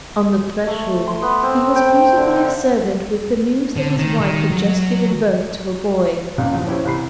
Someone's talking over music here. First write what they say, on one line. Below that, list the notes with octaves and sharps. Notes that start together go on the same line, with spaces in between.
On the threshold he was greeted by a servant with the news that his wife had just given birth to a boy.
A3
C6
B3
C4
G5
D3
D3
D#3
D#3
F#3
C#2 G2 A#2 C#3
E2 G2 F3
C#4 E4 G4 C5
C2 E3 B5 C7